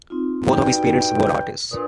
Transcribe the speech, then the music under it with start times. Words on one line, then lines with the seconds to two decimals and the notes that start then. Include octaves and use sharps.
Both of his parents were artists.
0.10 C4 D#4 F4
0.49 G2 D#4 F#4 G5
1.71 A#2 D4 B4 D#6